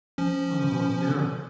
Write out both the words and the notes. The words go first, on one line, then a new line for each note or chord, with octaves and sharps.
Oh, no.
F3 C#4